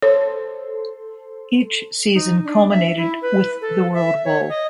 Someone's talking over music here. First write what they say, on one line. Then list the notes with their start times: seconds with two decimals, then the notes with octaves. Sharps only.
Each season culminated with the World Bowl.
0.02 A4 C5 C#5 C6
2.14 D#4
2.44 D4
2.70 E5
2.97 E4
3.22 B4
3.61 A4
3.94 E5
4.25 C#5
4.49 D#5